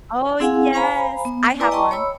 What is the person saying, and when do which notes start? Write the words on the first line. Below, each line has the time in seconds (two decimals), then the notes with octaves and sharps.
Oh, yes, I have one.
0.40 C4 E4 G#4 F5 F#5 G#5
0.73 C5 F5 G#5 A#5 B5
1.25 B3
1.60 E4 B4 D5 G#5 A#5 D6
1.71 D#5 G5 A5 A#5 C6 C#6
1.91 C#5 B5 E6